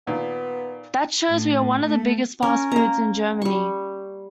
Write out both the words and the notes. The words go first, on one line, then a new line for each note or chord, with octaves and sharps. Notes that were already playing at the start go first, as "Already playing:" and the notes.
That shows we are one of the biggest fast-foods in Germany.
A#2 D#3 B3
A2
A3
C#4 A#4
A#3 A#5
G3 C#6